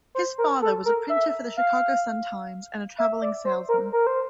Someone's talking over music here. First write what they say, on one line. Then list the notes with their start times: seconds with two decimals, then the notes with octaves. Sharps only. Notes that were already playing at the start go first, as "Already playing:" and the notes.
His father was a printer for the "Chicago Sun-Times" and a traveling salesman.
0.15 C5
0.38 A#4
0.62 A4
0.85 A#4
1.09 E5
1.57 F5
2.98 E5
3.22 D5
3.45 C5
3.69 A#4
3.93 A#4
4.07 C5